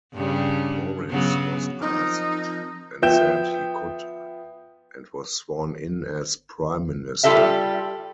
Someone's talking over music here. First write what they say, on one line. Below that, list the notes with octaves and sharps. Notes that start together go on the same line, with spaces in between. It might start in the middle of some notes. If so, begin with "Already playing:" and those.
Morris was asked and said he could and was sworn in as Prime Minister.
G2 C#3 G3
C#3 F#3 B3
F3 C4 D#4 A#4
F3 B3 E5 G5 G6 E7
G3 F4 G4 A4 D#5 E5